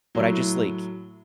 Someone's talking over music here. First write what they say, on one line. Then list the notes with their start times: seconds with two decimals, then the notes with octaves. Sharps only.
But I just, like
0.15 A2 F#3